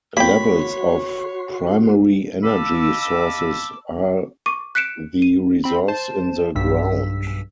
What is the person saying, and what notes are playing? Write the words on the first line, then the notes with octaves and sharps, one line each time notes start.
Levels of primary energy sources are the reserves in the ground.
A#3 F#4 C#5 G5 B5 C6
D#5 F5 A5 B5 D6 E6
C#6 D6 D#7
F#6 B6 C#7 D7 E7
D#7
C4 B5
C5 A5 E7
B1 G2 E6 B6